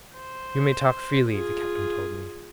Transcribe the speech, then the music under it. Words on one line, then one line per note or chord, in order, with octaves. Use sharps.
"You may talk freely," the captain told me.
C5
F4 G#4